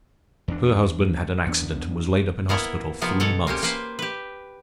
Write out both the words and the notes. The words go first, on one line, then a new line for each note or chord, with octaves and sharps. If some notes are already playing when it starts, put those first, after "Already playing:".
Her husband had an accident and was laid up in hospital three months.
E2 D4
E2 B3 C#4 D4
A#3 B3 E4 A#4
C3 F3 A#3 B3
B2 A4 C#5 F#5
A#3 C4 C#4 G4
A#3 B4 C5
G4 B4